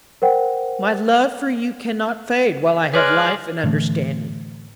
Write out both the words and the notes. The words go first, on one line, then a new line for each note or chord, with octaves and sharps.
My love for you cannot fade while I have life and understanding.
A#4 C5 F#5 G5
G#3 G#4 B4 C#5 D5 F6 F#6
A2 D3 E3 A3